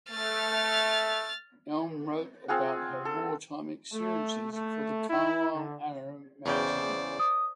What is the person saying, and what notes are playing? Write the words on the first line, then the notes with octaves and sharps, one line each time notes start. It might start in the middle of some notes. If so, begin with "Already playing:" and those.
Elm wrote about her wartime experiences for the "Carlisle Arrow" magazine.
A3 F6 A6
C4 F4 G#4 F#5
A4
A3
A3
E4
D3
E2 C#3 C5 D5 G5
D#6